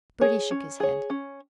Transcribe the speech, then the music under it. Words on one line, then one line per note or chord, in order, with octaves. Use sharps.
Bertie shook his head.
G#4 C#5
C#4
G#4 C#5
C#4